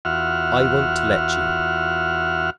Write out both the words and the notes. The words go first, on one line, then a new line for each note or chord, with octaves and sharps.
I won't let you.
E2 F4 F#4 E5 F#5 F6